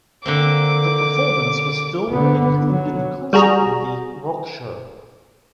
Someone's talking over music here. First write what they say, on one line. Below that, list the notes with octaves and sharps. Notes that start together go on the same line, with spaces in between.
The performance was filmed and included in the concert movie Rockshow.
D3 A#3 C4 D6
D3 B3
F#3
G3 F#4 G#4 A#5